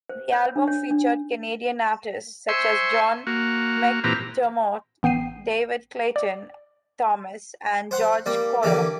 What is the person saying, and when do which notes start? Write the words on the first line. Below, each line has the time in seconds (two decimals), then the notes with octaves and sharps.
The album featured Canadian artists such as John McDermott, David Clayton-Thomas and George Koller.
0.09 C5
0.32 C#5
0.56 D4
0.68 C#5
0.91 D4
2.49 C5 E5 G#5 C6 C#6
3.27 A#3 F#4
4.04 A#2 E3 C4 G4 B4 A#5
5.03 A1 B3 G5 C7 D#7
6.16 D5
7.91 C5 F#5 C6
8.26 G3 A#3
8.63 D3 E3 G3 A#3